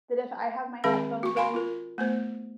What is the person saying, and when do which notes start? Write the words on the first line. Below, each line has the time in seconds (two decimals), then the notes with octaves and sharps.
that if I have my headphones in,
0.84 D#3 G#3 C4 G#4 F5 B5
1.23 F#4 C#6
1.36 A#4 F5 G#5 B5 C6
1.54 F4 A#4
1.98 A3 B3 C5